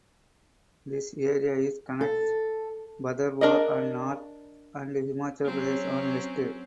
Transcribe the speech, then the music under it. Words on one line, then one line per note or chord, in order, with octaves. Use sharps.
This area is connects Bhaderwah on North and Himachal Pradesh on West.
A4
D4 A#4 D5 D#5
F#3 C4 C#4